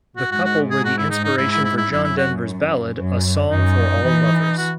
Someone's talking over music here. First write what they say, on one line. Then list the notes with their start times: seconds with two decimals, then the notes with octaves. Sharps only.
The couple were the inspiration for John Denver's ballad A Song For All Lovers.
0.17 F#4
0.31 G#2 F#4
0.44 F#4
0.71 G#4
0.85 F#4
0.98 E4
1.11 D#4
1.24 D#4
1.37 G#2 E4
1.51 E4
1.64 E4
1.77 E4
1.91 F#2 E4
2.04 E4
2.17 F#4
2.98 F#2
3.51 F#2 D#4
4.04 E3
4.57 F#4